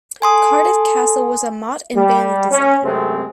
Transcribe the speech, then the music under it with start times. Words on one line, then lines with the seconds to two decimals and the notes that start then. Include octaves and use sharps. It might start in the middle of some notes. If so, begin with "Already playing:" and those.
Cardiff Castle was a motte-and-bailey design.
0.22 A4 G#5 C6 D#6
1.96 G3
2.51 C#4
2.83 F#2 C3 G#3 A3 C4